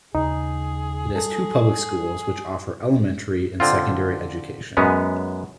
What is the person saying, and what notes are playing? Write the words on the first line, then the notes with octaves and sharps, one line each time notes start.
It has two public schools which offer elementary and secondary education.
D#2 C#3 D#4 G#4
G3 A4
D3 C4 F4
F#2 G#3 B3 C#4